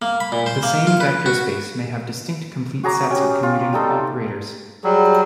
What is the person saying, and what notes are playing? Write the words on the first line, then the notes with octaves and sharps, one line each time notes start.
The same vector space may have distinct complete sets of commuting operators.
A#3
B5
A#2
C5
A#3
F4
B4
F#4
F#4 G#4 A#5 D6
C#4 G4
F4
G3 D#4 A4
F#3 G3 G#4